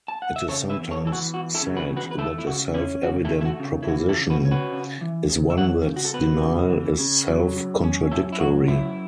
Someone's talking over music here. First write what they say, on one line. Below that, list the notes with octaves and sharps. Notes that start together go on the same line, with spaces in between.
It is sometimes said that a self-evident proposition is one thats denial is self-contradictory.
A5
F#5
E5
C#3 A4 C#5
B4 E5
E2
A4 C#5
E3 A4
F#4
E2 F#4
E4 A4
C#3
F#4 B4
E2
F#4 B4
B4
A3 E4 A4
E4
C#3 F#4
C#4 E4
C#3 F#4
E4 A4
A3
E4
F#4
C#3
E4
E3 F#4
E4 A4
C#3
F#4 B4
C#4
F#4 B4
C#3
E3
C#3
E5
E3 C#5 F#5
C#3
F#4
A4
B3 F#4 B4
C#3
E3
C#3
F#3
F#2
C#4
F#2 E4 A4
E4
F#3 F#4
F#2 E4